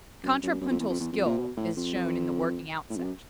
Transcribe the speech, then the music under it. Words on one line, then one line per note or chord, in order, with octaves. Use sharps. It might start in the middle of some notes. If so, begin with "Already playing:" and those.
Contrapuntal skill is shown in the working out section.
F#2
F#2
F#2
F2
E2
F2
E2
F2
A#2
B2
A2
F2
F2
A2
F2
F#2